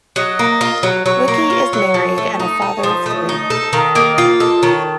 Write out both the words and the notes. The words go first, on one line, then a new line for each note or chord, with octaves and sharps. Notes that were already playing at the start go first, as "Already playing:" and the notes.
Wicki is married and a father of three.
F#3 D#5
A#3
F4
F#3
F#3 C#5
A#3
F4
F#3
F3
A3
D#4
A4
C#5
F3 C5
A3 D#5
C#5
D#4
D#5
A4
D#3 F5
A#3 D#5
D#5
F4 F5
A4 D#5
D#3 C#5